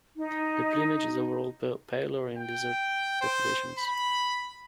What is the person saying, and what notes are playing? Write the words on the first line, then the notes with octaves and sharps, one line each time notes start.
The plumage is overall paler in desert populations.
D#4
G5
C5
B5